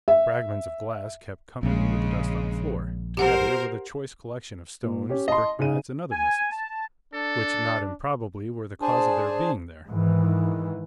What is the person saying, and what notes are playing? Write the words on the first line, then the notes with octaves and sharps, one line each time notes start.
Fragments of glass kept company with the dust on the floor, together with a choice collection of stones, brickbats, and other missiles,--which not improbably were the cause of their being there.
E5
A#1 C#3 G#3
G4 A#4 C5 F#5
A#2
C#4 G4
D#5 A5 C6
C#3 D#4 G#4 D#7
G#5
A5
D4 A4
D4 G#4 C5 G#5 A5
G#2 D#3 E3